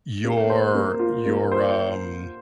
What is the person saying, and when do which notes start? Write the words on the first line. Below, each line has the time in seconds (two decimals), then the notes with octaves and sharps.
your your, um,
0.24 A#3
0.50 C5
0.75 A#3
0.99 F4
1.26 A#3
1.52 C5